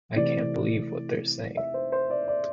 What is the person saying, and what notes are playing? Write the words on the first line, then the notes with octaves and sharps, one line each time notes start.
I can't believe what they're saying.
C3 E3 A3 C4 D5
E5
C5
C5
D5
D5